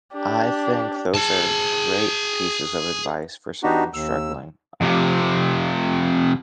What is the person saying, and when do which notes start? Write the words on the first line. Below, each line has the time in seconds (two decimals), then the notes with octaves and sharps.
I think those are great pieces of advice for someone struggling. Um.
0.14 D4 G4
1.14 G#4 A5
3.63 B3 D4 D#4 F#4 G4
3.94 D#2 E6
4.81 F2 C3